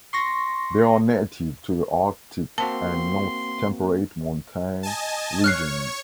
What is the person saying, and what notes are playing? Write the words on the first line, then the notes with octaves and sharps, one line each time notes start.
They are native to the Arctic and north temperate montane regions.
C6 C#6 A#6
A#3 C4 F#4 A5 C6
D#5 G#5 A5
C#5 C#6 F6 F#6 C7